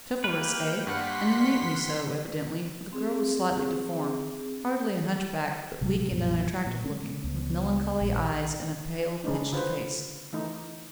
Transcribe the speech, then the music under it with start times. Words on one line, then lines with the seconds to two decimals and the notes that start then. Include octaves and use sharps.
Chivalrous--eh?--and innately so, evidently, for the girl was slightly deformed: hardly a hunchback, but weak and unattractive-looking, with melancholy eyes, and a pale, pinched face.
0.24 A#3 A#4 B4 G5
0.87 G2 F#5 C6 B6
2.93 C4 G#4
5.81 A#1 C3 F#3 G#3
6.11 B1 F#2 A#2
6.66 A#2
6.86 G#3 B3 C#4
7.24 C#2 B3
8.01 A#1
9.24 C#3 G#3 D4 D#4
9.52 D3 F4 B4 C5
10.33 E3 A3 D#4